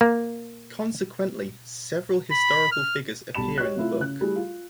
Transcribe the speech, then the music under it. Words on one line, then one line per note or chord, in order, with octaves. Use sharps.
Consequently, several historical figures appear in the book.
A#3
B5
F6
B1 G3 A5 B5 E7
G4 C#5 D#5 F#6
C3 A3 E4 F4
C#3 F#6
G3 A3 E4 G4 G#4
F4 F5